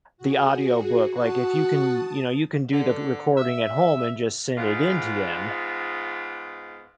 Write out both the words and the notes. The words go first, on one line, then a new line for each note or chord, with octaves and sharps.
the audio book, like, if you can, you know, you can do the recording at home and just send it into them.
F#4 G#4
F#4 A5 D#6
D3
E5
G#2 B3 F4